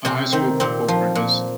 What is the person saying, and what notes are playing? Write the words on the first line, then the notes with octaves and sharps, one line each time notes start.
A high school football practice.
C3 C4
D#3 C4
A#2 C4
F3
A#2